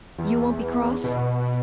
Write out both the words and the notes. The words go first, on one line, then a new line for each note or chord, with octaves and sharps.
"You won't be cross?"
E2
B2